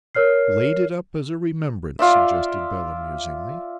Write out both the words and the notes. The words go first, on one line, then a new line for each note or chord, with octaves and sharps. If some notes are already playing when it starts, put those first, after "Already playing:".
'Laid it up as a remembrance,' suggested Bella, musingly.
A#4 C#5 F6 C7
F4 D5 E5